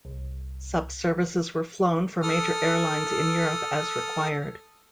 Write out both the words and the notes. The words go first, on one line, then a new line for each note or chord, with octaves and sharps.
Sub-services were flown for major airlines in Europe as required.
C2
A4 D#6 F6